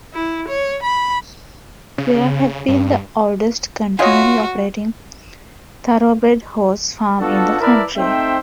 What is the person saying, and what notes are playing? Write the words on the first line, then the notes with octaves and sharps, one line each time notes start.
Belair had been the oldest continually operating thoroughbred horse farm in the country.
E4
C#5
B5
C#3
G2
F4 F#4 C#5 D#5 G#5
B3 D4 F4 F#4 A4
E4 A#4 B4 D5 E5 A5
A3 C4 D#4 C5 E5 G5